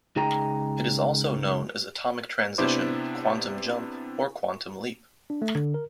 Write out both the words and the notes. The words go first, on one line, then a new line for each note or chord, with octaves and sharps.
It is also known as atomic transition, quantum jump, or quantum leap.
C#2 D#4 G#4 G5 A#5
C3 B3 D4 E4 C5 D6
D4
A3
D3
A#4